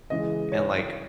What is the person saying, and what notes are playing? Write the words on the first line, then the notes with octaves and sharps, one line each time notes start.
and, like,
C#3 E3 G#3 D#5
C#5